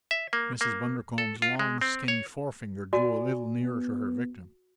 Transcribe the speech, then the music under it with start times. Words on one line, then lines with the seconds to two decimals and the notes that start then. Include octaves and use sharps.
Mrs. Bundercombe's long, skinny forefinger drew a little nearer to her victim.
0.11 E5
0.33 A#3
0.61 A#3
1.18 A4
1.42 F4
1.59 G#3
1.81 C4
2.08 C#5
2.93 F#4 D5 G#5
3.64 B3